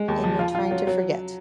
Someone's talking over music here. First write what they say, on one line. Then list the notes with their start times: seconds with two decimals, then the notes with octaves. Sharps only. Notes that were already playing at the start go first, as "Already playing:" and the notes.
and you're trying to forget,
Already playing: G#3
0.08 D#2
0.24 F3
0.39 F4
0.55 F4
0.71 F#3
0.87 F#3